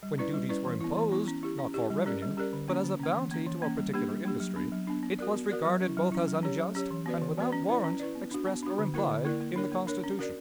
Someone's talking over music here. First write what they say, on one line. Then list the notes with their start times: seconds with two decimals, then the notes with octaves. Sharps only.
When duties were imposed, not for revenue, but as a bounty to a particular industry, it was regarded both as unjust and without warrant, expressed or implied, in the Constitution.
0.03 G3
0.18 C#4 E4 B4 D5
0.34 G3
0.49 C#4 E4 B4 D5
0.65 E3
0.81 B3 E4
0.97 E3
1.12 B3 E4
1.28 C#4
1.43 E4 G4
1.59 C#4
1.74 E4 G4
1.90 G3
2.06 C#4 G4 A#4 D5
2.22 G3
2.37 C#4 G4 A#4 D5
2.53 D3
2.68 A#3 C#4
2.84 D3
3.00 A#3 C#4
3.15 E3
3.31 A#3 C#4
3.46 E3
3.62 A#3 C#4
3.78 G3
3.94 A#3 D4 G4
4.09 G3
4.25 A#3 D4 G4
4.40 F#3
4.56 B3 D4
4.72 F#3
4.87 B3 D4
5.03 B3
5.19 F#4 A#4 D5
5.34 B3
5.50 F#4 A#4 D5
5.65 F#3
5.81 C#4
5.86 E4
5.97 F#3
6.12 C#4 E4
6.28 F#3
6.43 C#4 G4 C#5
6.59 F#3
6.75 C#4 G4 C#5
6.91 E3
7.06 B3 F#4 B4 D5
7.22 E3
7.37 B3 F#4 B4 D5
7.52 C#4
7.69 E4 B4 D5
7.84 C#4
8.00 E4 B4 D5
8.15 B3
8.31 D4 F#4
8.47 B3
8.62 D4 F#4
8.78 D3
8.94 A#3 E4 A#4 D5
9.09 D3
9.25 A#3 E4 A#4 D5
9.41 A#3
9.56 D4 A#4 C#5
9.72 A#3
9.87 D4 A#4 C#5
10.04 C#4
10.19 F#4 A#4 D5